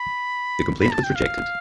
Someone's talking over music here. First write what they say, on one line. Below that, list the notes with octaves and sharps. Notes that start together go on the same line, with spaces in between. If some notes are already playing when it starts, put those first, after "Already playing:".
The complaint was rejected.
Already playing: B5
B5
A5
G5
F5